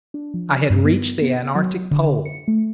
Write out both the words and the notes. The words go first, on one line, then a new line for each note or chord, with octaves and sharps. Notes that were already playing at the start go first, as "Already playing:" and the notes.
I had reached the antarctic pole.
D4
F3
G2
B3
B3
F#3
D3
C#7
A3